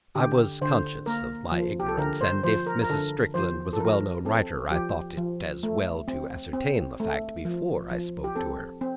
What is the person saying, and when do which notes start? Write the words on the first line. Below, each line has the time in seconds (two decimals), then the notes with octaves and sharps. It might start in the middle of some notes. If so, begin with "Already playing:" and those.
I was conscious of my ignorance, and if Mrs. Strickland was a well-known writer I thought it as well to ascertain the fact before I spoke to her.
0.15 D3 G4
0.62 D3 C5
1.06 A#3 A#4
1.52 F3
1.80 G4
1.88 A4
1.98 D3 A#4
2.21 C5
2.43 F3 C5
2.67 A#4
2.81 A#4
2.90 D3 A4
3.34 F3 C5
3.73 A4
3.80 F3 A#4
4.25 C4 A4
4.71 F3 G4
5.17 F3
5.63 A3
6.08 C4
6.53 C4
7.00 A3
7.45 F3
7.91 F3
8.24 G4
8.36 C4 A4
8.81 C4